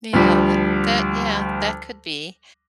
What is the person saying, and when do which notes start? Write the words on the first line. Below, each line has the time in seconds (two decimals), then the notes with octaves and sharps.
Yeah, that that, yeah, that could be.
0.13 D2 F3 G3